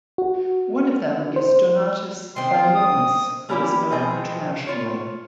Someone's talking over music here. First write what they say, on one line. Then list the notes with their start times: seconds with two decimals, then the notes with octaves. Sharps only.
One of them is Donatas Banionis who is known internationally.
0.18 F#4
1.36 C5
2.36 D#3 C4 C6
2.52 F4
2.75 D#6
3.49 G3 A#3 C#4 E4 F4 G4
3.91 B2 F3 C4 G#4 D#5
4.67 F4 C#5